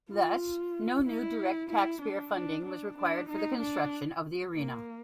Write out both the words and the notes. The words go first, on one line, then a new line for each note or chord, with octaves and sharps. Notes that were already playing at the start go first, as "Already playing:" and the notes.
Thus, no new direct taxpayer funding was required for the construction of the arena.
F4
E4
E4
D4
D4
D4
D4
D#4
D4
A#3